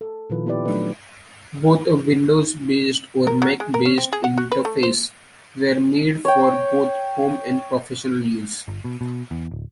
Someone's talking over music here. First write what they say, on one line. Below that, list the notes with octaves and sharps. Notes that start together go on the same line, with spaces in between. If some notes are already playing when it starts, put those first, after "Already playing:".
Both a Windows-based or Mac-based interface were made for both home and professional use.
A4
A#2 D#3 F3 E4 F4 B4
B3 E4 G4 B4 D5
F#3 A3 D4 D#4 B4
A#4
F#3
G#3
A#4
C#4
C4
G#4
F#5
F#4
B4
A3
C5
C#5 G5
G1
B2
B2
E2
D1